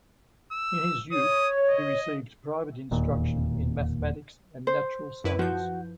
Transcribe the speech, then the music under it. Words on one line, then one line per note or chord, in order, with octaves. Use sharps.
In his youth he received private instruction in mathematics and natural science.
E6
C#5 D#6
D#5
E1 D#2 A#2
C5
F#2 E4 B4
F3 F#4 G6